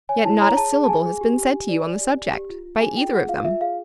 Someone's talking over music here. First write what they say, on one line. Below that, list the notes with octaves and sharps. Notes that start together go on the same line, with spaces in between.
"Yet not a syllable has been said to you on the subject, by either of them."
C#5 G#5
E4 A5
C#5 A#5
G#4 A5
G#4
A5
G#4 G#5
G#4
G4
G4
G4
D5
D5
G4
D5
G4
F4
F4
G#4 G#5
F4 G5
G#4 F#5
F4 F5
F4 E5
G#4 F5